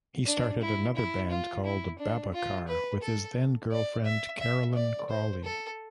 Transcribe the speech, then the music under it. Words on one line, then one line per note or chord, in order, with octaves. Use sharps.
He started another band called Babacar with his then-girlfriend Caroline Crawley.
D4
E4
E4
F4
E4
D4
F4
B4
A4
D5
E5
E5
D5
C5
A4